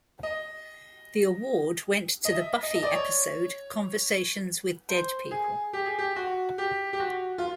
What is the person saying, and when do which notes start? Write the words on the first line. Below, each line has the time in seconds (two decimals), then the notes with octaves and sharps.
The award went to the "Buffy" episode "Conversations with Dead People".
0.23 D#5
2.25 D#5
2.35 E5
2.63 D#5
2.75 D#5
2.83 D5
2.91 C#5
4.89 C5
5.31 G#4
5.73 G4
5.86 G#4
5.98 G4
6.16 F#4
6.58 G4
6.93 G4
7.00 F#4
7.38 F4